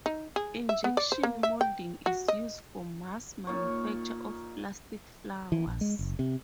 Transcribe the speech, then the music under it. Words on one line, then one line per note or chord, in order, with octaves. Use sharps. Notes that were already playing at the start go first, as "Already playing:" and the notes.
Injection moulding is used for mass manufacture of plastic flowers.
D#4
G#4
E5
B3
D5
C5
A#3
E5
G5
F#4
D#5
A#2 D#4 C#5
E3
A#1
G#3
F#1
C3